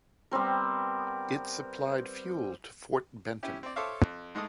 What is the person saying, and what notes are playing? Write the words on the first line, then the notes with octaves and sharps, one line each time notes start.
It supplied fuel to Fort Benton.
G3 B3 C4 A#4
C#4 E4 G4
C4 D5
A4 C5 C#5 E5 F5 D6
F2
G#2 G#3 A3 A4 D#6